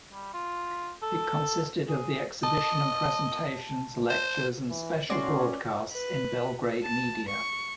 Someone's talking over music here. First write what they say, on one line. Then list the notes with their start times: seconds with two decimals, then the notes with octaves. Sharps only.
It consisted of the exhibition and presentations, lectures and special broadcasts in Belgrade media.
0.11 G3
0.34 F4
1.03 A4
1.89 G#4
2.43 D#5 A5
4.10 C5
4.69 E3
5.10 A2 C#4 F#4 C#5 D5 C6
5.92 B4
6.83 A5
7.28 C#6